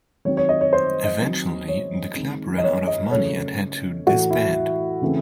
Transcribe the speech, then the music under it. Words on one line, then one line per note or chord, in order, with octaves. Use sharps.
Eventually the club ran out of money and had to disband.
D#3 F#3 C4 C#5
C#5
D#5
C#5
C5
D#5
D#3 F#3 C4
C#5
D#3 G#3 C4
D#5
C#5
D#5
C#3 F#3 A3 C#5
A2 E3 A3 F#4
E4
C#3 E3 A3 C4